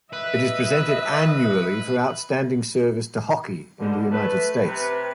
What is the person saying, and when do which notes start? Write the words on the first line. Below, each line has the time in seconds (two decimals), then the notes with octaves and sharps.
It is presented annually for "outstanding service to hockey in the United States".
0.13 B4 D#5 E5
3.79 B2 D3 G3 G#3 D4
4.11 A3 B4
4.66 C3 B4